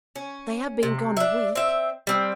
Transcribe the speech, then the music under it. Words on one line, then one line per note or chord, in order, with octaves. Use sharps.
'They have been gone a week.
C#4
C3
D4 E5
C4 E5
G3 C4